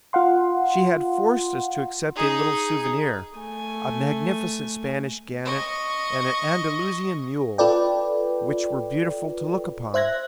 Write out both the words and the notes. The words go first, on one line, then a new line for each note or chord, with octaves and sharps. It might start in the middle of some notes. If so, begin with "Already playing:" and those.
She had forced us to accept a little souvenir, a magnificent Spanish GENET and an Andalusian mule, which were beautiful to look upon.
F4 F5 F#5 C6
D#4 G#4
A3 G#5
D#5 C#6
F4 A4 B4 D5 G5
C5 E5 F#6 G#6 A#6